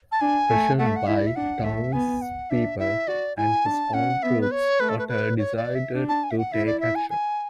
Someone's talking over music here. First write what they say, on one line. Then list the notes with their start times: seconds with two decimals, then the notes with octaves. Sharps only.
Pressured by the townspeople and his own troops, Otter decided to take action.
0.12 A5
0.21 D4 G#5
0.50 A3
0.78 A3 F#5
0.87 E5
0.96 F#5
1.07 E4 E5
1.17 D5
1.27 E5
1.36 D4 F#5
1.64 A3 E5
1.93 B3 G#5
2.22 F#5
2.50 D4 E5
2.79 E4 E5
3.08 F#4 D5
3.37 E4 G#5
3.65 D4 A5
3.93 C#4 F#5
4.23 B3 E5
4.41 B4
4.51 C#5
4.80 A3 B4
4.89 A4
4.99 B4
5.09 B4
5.38 C#5
5.56 D5
5.75 E5
5.95 D4
6.09 A5
6.23 G#5
6.31 E5
6.38 F#5
6.52 E4 E5
6.66 D5
6.80 E5
6.95 G#5
7.10 G#5